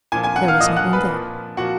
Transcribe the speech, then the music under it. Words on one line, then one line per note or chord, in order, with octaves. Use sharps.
There was no one there.
A#2 F3 G#5 G#6
G#5 G#6
F#5 F#6
F5 F6
A#2 F3 D#5 D#6
F#5 F#6
B4 B5
A#2 F3
A#2 F3 F#4 F#5